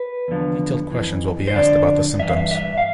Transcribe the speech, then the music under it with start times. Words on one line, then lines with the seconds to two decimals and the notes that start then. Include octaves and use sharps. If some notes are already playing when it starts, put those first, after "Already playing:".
Detailed questions will be asked about the symptoms.
Already playing: B4
0.28 E2 D3 F3
0.92 F2 E3
1.47 C5
1.55 F2 D3 F3 D5
2.19 G2 E3 E5
2.29 F5
2.37 E5
2.51 E5
2.78 F5